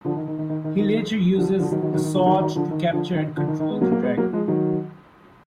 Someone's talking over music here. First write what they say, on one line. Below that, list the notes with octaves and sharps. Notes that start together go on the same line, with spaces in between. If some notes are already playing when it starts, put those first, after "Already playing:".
He later uses the sword to capture and control the dragon.
D3 F3
D#3
D#3
D#3
D#3
D#3
D#3
D3 F3
D3 F3
D#3 F#3
D#3 F#3
D#3 F#3
D#3
D3 F3
D#3 F#3
D#3 F#3
D3 F3
D#3
D3 F3
D#3
D3 F3
D#3
D#3
G#3 B3
F#3 A#3
F#3 A#3
G#3 B3
F#3 A#3
F3 G#3
D#3 F#3